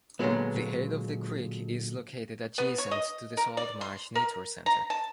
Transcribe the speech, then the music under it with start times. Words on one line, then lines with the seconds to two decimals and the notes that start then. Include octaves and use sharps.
The head of the creek is located adjacent to the Salt Marsh Nature Center.
0.20 A#2 D3 D#3 F#3 G#3 B3
2.58 B3
2.78 C#5
2.91 D#5
3.37 A#4
3.57 D5
3.81 C6
4.15 A#4
4.66 A#5
4.90 A5